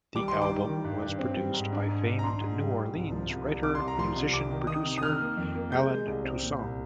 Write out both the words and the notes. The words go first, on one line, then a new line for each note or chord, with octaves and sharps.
The album was produced by famed New Orleans writer-musician-producer Allen Toussaint.
G3 D6
D#3 C6
D6
G3
D#3
G2
G2
C4
G3
G#2
D4
G#2
D4
A#5
D4 C6
G#2
G3
G#2
C2
F3
C2
C2
C2 D6
C6
C2
A#5
F3 C6
C2
C3 D6
D#3
D#3 D#6
C3
D#6
D#3 F6
A#3
F2
A#3
G#3 G6
G#3
C2
C4
A#2
C2